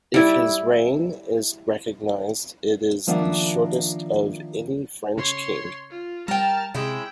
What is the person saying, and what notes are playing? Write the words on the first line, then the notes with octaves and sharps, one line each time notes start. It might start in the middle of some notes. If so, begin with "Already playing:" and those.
If his reign is recognized, it is the shortest of any French king.
G3 E4
D#3 F3 A#3 D4 E5 F#5
C#3 C#5 C6
F4
G3 A#4 G5 A5 F6
C3 G#3 C#4 E4 G5